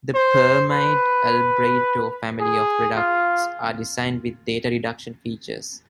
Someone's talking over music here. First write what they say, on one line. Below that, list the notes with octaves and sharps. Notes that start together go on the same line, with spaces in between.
The Permabit Albireo family of products are designed with data reduction features.
C5
B4
G#4
F4